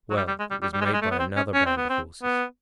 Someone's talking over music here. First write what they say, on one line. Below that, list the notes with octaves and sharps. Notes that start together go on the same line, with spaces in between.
"Well, it was made by another band of horses."
F#3
G3
G3
G#3
G3
G3
G3
G#3
G3
G#3
A3
B3
C4
C#4
C#4
C4
B3
C4
B3